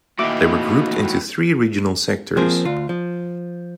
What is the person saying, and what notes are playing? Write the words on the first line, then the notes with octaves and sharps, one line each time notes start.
They were grouped into three regional sectors.
D#3 E3 A3 A#3 F#4 D#5 E5 D6
F3 A#3 C4 G#4
D2 F4
F3